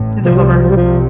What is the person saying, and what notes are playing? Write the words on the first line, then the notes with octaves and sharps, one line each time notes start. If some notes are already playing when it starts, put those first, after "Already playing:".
it's a bummer.
Already playing: A1 A2
C2 C3 F3
G3
F3
F3
G3
C2 C3 F3